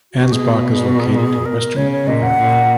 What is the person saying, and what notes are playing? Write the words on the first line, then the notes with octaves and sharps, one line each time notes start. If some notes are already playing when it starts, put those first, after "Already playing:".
Ansbach is located in western Bavaria.
F#4
B2
G#4
F#4
G#4
F#4
G#4
G#4
A#4
C#3 C#5
C#5
A#2 D#5
F#5
A#2